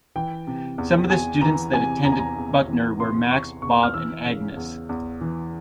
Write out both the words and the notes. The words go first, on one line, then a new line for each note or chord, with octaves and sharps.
Some of the students that attend Buckner were Max, Bob, and Agnes.
E3 G5
C3
E2
E2 G#5
E3 A#5
C3 G#5
E2 A#5
G#5
A#5
E2
E3
C3 C6
E2 C#6
E2 C#6
F6
E3 E6
C#3
E2
E2
E3